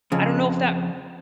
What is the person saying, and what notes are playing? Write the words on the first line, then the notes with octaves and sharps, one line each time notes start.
I don't know if that
F2 C#3